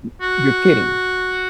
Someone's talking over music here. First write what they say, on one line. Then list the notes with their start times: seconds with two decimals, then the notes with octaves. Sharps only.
M You're kidding?
0.21 F#4